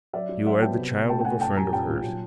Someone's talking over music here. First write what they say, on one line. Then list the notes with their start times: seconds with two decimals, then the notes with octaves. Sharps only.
You are the child of a friend of hers.
0.13 F#3 D5 E5
0.29 F#3
0.46 F#3 E5 F#5
0.62 B3 G5 A5
0.77 C3
0.93 C3
1.09 A3 G5 A5
1.21 G5
1.24 A3 F#5 G#5
1.41 A#2 G5 A5
1.57 G3 G#5 A#5
1.72 A#2 G5 A5
1.89 A#2
2.04 F#3